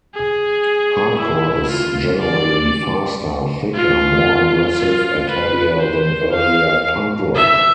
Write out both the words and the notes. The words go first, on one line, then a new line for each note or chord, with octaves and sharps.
Hardcore is generally faster, thicker, more aggressive and heavier than earlier punk rock.
G#4
E4
F4
D5
F4
F4
B4
C5
F5
E5